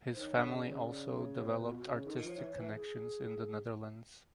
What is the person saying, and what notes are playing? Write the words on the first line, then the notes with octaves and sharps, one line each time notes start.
His family also developed artistic connections in the Netherlands.
C5
D#3 C#5
D3
C#3 D5
C#3
C#5
B2 C5
B4
B2
F4
F#4
C#3 G#4
D#3 A4
A#4
F3 C#5
E3 C#5
B4
E3
G#4